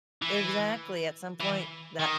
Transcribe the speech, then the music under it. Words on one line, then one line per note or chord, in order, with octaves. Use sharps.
exactly, at some point that
E3
E3
D#3